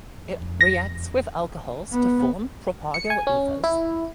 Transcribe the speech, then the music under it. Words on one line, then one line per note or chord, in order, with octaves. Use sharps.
It reacts with alcohols to form propargyl ethers.
A#6
B3
C#7
G#5
C#4
E4